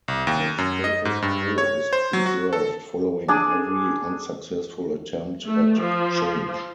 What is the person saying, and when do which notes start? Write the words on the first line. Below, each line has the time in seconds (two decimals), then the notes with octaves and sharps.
The status quo is preserved following every unsuccessful attempt at change.
0.08 C2
0.27 D#2
0.58 F#2
0.84 D#5
1.05 G#2
1.22 G2
1.58 C#5
1.93 C5
2.13 F#3
2.26 F#4
2.53 A4
3.28 D4 G#4
5.47 A3
5.79 F3